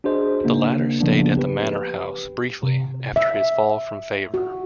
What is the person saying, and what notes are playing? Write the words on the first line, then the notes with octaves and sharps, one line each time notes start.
The latter stayed at the Manor House briefly after his fall from favour.
D4 F#4 G#4 C5 D#5
C#3 A#3 D4
C#3 F3 F#3 A#3 B3 D4
G4 B4
C3
E5
F#4